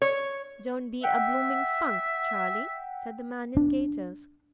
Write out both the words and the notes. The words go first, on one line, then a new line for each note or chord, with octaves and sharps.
"Don't be a bloomin' funk, Charlie," said the man in gaiters.
C#5
E5 F#5 G5
D4